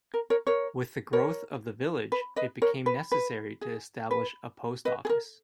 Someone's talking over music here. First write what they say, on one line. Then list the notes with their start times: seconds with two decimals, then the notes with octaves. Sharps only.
With the growth of the village, it became necessary to establish a post office.
0.14 A#4
0.30 A#4 C#5
0.47 A#4 C#5
1.13 A#4 C#5
2.12 B4
2.36 B4 D#5
2.62 A#4 C#5
2.86 B4
3.12 B4
3.61 G#4
4.11 B4
4.85 B4 D#5
5.05 G#4
5.09 A#4